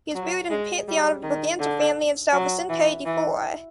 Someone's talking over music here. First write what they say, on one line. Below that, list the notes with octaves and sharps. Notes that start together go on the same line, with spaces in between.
He was buried in the Pantheon of the Bragança family in São Vicente de Fora.
F#3
G#3
G3
D#3
D3
F#3
E3
E3